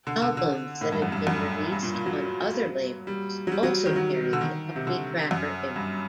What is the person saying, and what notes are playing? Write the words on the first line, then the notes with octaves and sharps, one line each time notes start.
Albums that have been released on other labels also carry the Uppity Cracker imprint.
D3
D3
D3
A2
G2
F#2
G2
F#2
G2
A#2
A#2
F#3
G3
F#3
G3
F#3
D#3
F#3
D3
D#3
C3
D3
F#2
G2